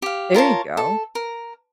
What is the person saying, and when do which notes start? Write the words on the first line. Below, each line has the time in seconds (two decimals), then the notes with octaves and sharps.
There you go.
0.02 G4 F5
0.34 F4 A#4 C#5 A5
0.77 A4
1.15 A#4